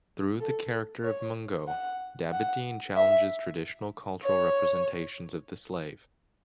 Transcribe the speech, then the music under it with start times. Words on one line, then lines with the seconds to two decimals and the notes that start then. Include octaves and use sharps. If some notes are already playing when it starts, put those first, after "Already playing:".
Through the character of Mungo, Dabydeen challenges traditional cultural representations of the slave.
0.40 A4
1.04 C#5
1.68 F#5
2.32 F#5
2.96 E5
4.24 C#5